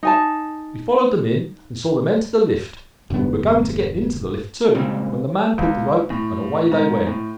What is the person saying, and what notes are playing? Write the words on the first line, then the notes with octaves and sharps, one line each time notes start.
We followed them in and saw them enter the lift, and we were going to get into the lift too, when the man pulled the rope, and away they went.
D#4 G#5 A5
E1 G2 D3 B3
A#2 C#3 G3 G#3 C4
C#2
A2
G#2
A2